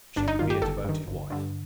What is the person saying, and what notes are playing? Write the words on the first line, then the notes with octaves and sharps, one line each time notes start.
She would be a devoted wife.
G1 D4
D#4
G2 D#3 F4
G4
G1 A4
G2 D#3
G1
G2 D3